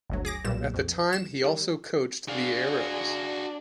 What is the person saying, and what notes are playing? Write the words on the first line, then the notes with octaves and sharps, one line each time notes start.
At the time, he also coached the Arrows.
G1 D2 F#3
G#4 D6 A#6
B1 A#2 G3 E7
F2
E7
D#3 G3
D4 F#4 G#4 F5